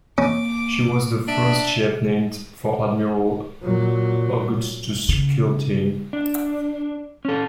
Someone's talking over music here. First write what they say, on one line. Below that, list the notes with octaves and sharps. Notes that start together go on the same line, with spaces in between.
She was the first ship named for Admiral Augustus Kilty.
A#3 C#4 D6
D4 E5
A#2 F#3
C#3
D4
C#4 A4